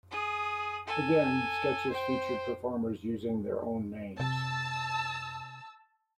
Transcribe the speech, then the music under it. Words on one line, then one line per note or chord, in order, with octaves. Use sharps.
Again, sketches featured performers using their own names.
G#4 D#6
A4 G#5
C5 G5
C3 A5 E6